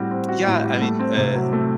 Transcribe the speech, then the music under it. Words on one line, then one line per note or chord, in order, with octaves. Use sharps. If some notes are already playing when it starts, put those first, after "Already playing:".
yeah, I mean, uh,
Already playing: A2 G3 C4 F#4
C4
F#4
A2
G3
A3
C4
C3
F#3
A3